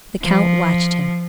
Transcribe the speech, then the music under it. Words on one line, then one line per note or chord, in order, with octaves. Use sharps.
The count watched him.
F3